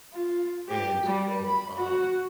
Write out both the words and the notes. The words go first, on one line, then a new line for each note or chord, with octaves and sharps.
and so, um,
F4
G4
G3
B5
F#4